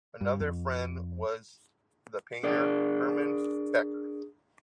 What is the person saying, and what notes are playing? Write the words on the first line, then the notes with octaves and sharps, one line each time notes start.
Another friend was the painter Hermann Becker.
G2
F2
D4 G#4 A#4 D5